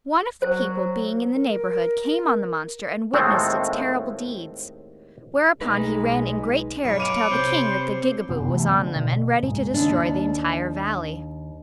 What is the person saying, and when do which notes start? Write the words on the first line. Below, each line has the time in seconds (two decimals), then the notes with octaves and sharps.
One of the people, being in the neighborhood, came on the monster and witnessed its terrible deeds; whereupon he ran in great terror to tell the King that the Gigaboo was on them and ready to destroy the entire valley.
0.42 F#3 C5
1.35 A#4
3.14 D#2 A2 G#3 A3 C4 A4
5.61 B1 G#3 D#4 B4
6.84 B1 B4 C#5
7.00 D6 D#7 F7
7.31 C3 C5 G6
8.29 F#1 C3 B3
8.48 C3 E3 G3 A3
8.72 D3
8.96 B2
9.43 G#2 C#3 G#3
9.74 D#2 D4